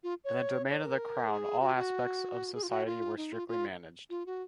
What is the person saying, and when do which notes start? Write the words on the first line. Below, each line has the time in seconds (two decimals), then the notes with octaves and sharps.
In the Domain of the Crown all aspects of society were strictly managed.
0.03 F4
0.24 C#5
0.66 C#5
0.83 A#4
1.28 G#4
1.61 F#4
1.76 F#4
2.54 G#4
2.63 F4
2.69 F#4
2.86 F4
3.17 D#4
3.32 F4
3.48 F4
4.10 F4
4.26 F#4